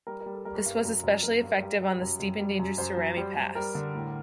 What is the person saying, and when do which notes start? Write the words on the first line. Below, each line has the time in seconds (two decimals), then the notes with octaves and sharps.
This was especially effective on the steep and dangerous Surami Pass.
0.07 G3 A#4
0.20 A#4
0.26 G3
0.33 A4
0.45 G3 A#4
0.66 G2
0.85 F#2
1.04 F#2
1.23 F#3 A#4
1.43 G2
1.62 G3
1.82 G3
2.02 F#2
2.20 F#2
2.39 G3
2.60 F#2
2.78 F#2 C5
2.97 F#3
3.17 G3
3.36 G3
3.55 G3 A#4
3.75 D3
3.95 A2